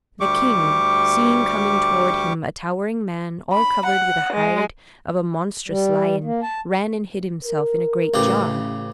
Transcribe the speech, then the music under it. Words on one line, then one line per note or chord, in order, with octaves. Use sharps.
The king, seeing coming toward him a towering man all covered with the hide of a monstrous lion, ran and hid himself in a great jar.
D2 G3 G4 C#6 D6
B5
F#5
G#3
G3
A#3
A5
A#4
A1 C#3 G4